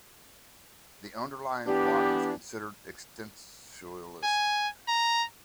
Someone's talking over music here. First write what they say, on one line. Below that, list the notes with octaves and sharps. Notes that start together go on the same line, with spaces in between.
The underlying plot was considered existentialist.
E3 B3 D4 G4
G#5
A#5